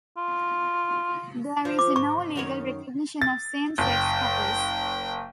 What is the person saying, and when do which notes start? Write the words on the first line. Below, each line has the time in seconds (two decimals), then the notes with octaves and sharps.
There is no legal recognition of same-sex couples.
0.17 F4
1.65 F3
1.79 D6
1.96 G#2 C#6
2.36 F#2 D#3 C#5
3.22 A6
3.78 F#1 G5